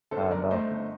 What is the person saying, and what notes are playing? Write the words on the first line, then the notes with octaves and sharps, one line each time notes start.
I know.
G1 A4 C5
G1 A#4 D5
A3 C5 D#5
G1